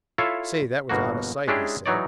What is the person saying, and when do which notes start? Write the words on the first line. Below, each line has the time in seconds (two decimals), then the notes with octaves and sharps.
"Say, that was out o' sight," he said.
0.18 E4 F4 A4 C#5 E5 F5
0.89 G1 B2 A#3 F#4
1.48 G#3 C#4 D4 E4 G4 G#4
1.86 E3 F#3 D#4 C#5 D5